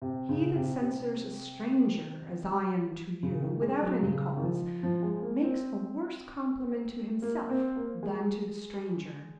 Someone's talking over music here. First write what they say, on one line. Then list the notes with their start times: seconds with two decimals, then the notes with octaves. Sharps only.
He that censures a stranger, as I am to you, without any cause, makes a worse compliment to himself than to the stranger.
0.02 C3
0.29 C#3
0.55 C3
0.82 C3
3.23 C#3
3.43 D#3
3.62 G#3
3.82 F#3
4.02 C#3
4.37 D#3
4.42 F3
4.83 F3
5.03 G#3
5.22 A#3
5.43 C4
7.22 A#3
7.49 C4
7.76 A#3
8.03 G#3